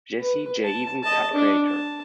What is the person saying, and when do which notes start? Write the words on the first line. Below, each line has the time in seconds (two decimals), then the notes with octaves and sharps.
Jazzy Jay-even Cut Creator.
0.21 B4
0.64 A5
1.04 D#5 A5
1.33 D4
1.66 A5